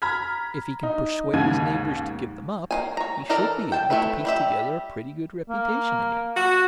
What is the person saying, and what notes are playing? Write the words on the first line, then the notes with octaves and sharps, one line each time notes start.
If he can persuade his neighbors to give them up, he should be able to piece together a pretty good reputation again.
A#5 B5 F6 G#6 B6
D#4
D#2 G#2 C#3 G#6 D#7
A#3 D#4 G#5
C#5 A#5
E3 A4 A#4 D5 A#5
G5 A5
A3 C4 E4 B4
G3 G4 E5
A#3
F#4